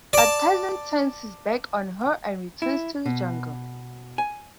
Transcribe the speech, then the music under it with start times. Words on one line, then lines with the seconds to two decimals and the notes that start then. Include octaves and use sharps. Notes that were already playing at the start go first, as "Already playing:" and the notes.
But Tarzan turns his back on her and returns to the jungle.
0.13 D5 A5
2.62 E4
3.06 B2
4.18 G#5